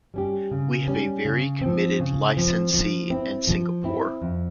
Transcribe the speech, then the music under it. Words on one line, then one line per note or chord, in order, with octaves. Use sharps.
We have a very committed licensee in Singapore.
G3 C#4 G4
C#3
G3 C#4 G4
C#3
F3 C4
C#3
F3 C4
F3
C4 E4
F3
C4 E4
F2